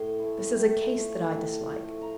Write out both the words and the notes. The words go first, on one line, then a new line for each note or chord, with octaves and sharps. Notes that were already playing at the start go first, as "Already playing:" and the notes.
This is a case that I dislike.
Already playing: A2 C6
E3 A3
A2
F3 A3
A2 A5
F3 A3 G5
A#5